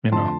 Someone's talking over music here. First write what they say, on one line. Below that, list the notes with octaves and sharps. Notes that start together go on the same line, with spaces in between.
you know,
F2 D3 A3 A5 C6